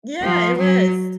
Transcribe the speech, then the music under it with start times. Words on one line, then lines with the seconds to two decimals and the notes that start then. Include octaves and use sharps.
Yeah, it was.
0.21 F3
0.57 F#3